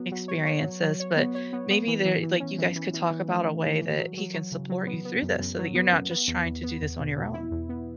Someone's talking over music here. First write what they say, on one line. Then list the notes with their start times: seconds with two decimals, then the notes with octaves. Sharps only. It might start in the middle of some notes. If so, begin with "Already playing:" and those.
experiences." But, maybe they're like, you guys could talk about a way that he can support you through this so that you're not just trying to do this on your own.
Already playing: F#3 B3
0.12 F#3
0.28 C#5
0.46 C#5
0.63 F#3
0.82 F#3
1.00 C#5
1.17 B3
1.35 C#5
1.53 B3
1.70 B3
1.87 E3
2.05 E3
2.23 E3
2.40 C#4
2.58 E3
2.76 E3
2.94 E3
3.11 E3
3.28 A3
3.46 E3
3.64 E3
3.81 E3
3.98 F#3
4.17 F#3
4.34 F#3
4.52 C#3
4.70 F#3
4.87 B3
5.05 B3
5.22 F#2
5.40 F#2
5.58 F#3
5.75 B3
5.93 F#2
6.11 B3
6.28 E2
6.46 E2
6.63 B3
6.82 E2
7.00 B2
7.17 B2
7.34 E4
7.51 E2
7.69 B3